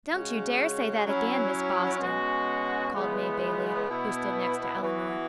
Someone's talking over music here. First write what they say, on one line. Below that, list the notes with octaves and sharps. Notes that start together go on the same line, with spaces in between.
"Don't you dare say that again, Miss Boston," called May Bailey, who stood next to Elinor.
C#3 G#3 C#4 F#4
F#3 C#4 E4
B2 G#3 C#4 F#4
C#3 E3 G#3 B3
B2 B3 E4
E3 B3 F#4